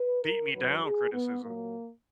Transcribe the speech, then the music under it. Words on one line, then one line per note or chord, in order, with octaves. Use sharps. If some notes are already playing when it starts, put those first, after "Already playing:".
beat-me-down criticism.
Already playing: B4
A#4
F#2 D#3 F#3 B4
G#4
B3
A#2 F#3 A#3